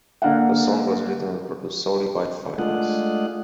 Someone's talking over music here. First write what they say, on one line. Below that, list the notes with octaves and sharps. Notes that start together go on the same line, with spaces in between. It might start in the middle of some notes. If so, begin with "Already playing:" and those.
The song was written and produced solely by Finneas.
D3 A#3 F5 F#5
G#3 A3 D4 F4 D#5 F#5